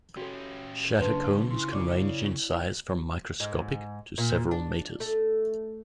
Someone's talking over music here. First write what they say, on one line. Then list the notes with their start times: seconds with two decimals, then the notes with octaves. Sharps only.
Shatter cones can range in size from microscopic to several meters.
0.17 C#4 F#4 G4 A4
1.01 C#3 F#3 D4 B4 A5 C6
1.49 C#3 E4 C6
1.72 E4 C#5 D5 C#6 D6
3.40 G#2
4.18 A#2
4.51 D4
5.00 A3